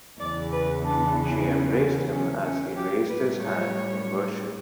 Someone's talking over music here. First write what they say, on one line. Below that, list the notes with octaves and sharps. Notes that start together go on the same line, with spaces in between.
She embraced him as "he raised his hand in worship".
E2 C#3 E3 D5
B4
D4
C#4
C#4
C#4
C#4
A2 G3 G4
B4
C#5